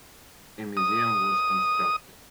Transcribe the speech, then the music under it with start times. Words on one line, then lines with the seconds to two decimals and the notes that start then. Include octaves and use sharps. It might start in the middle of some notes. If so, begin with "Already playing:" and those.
A museum was constructed.
0.77 D#6